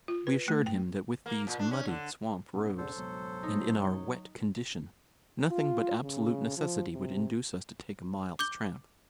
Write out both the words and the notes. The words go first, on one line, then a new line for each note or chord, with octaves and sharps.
We assured him that with these muddy swamp roads, and in our wet condition, nothing but absolute necessity would induce us to take a mile's tramp.
F4
B4
A3
G5
A#3
A#2
D4
C#4
D3
A#2 B3 C#4 D4
E2 A4 C5
C#2 G#2 B2 F#3
D#4
F4
C#3
F3
C3
D6 G6 G7